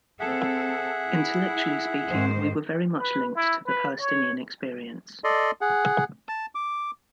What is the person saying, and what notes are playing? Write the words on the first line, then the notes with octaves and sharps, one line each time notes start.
Intellectually speaking, we were very much linked to the Palestinian experience.
C4 G#4 A4 E5 F#5
E4
G#2 D#3 C5
B4
E4
B4
C#5
A4 D5 D#5 C6
G#4 F#5
A5
D6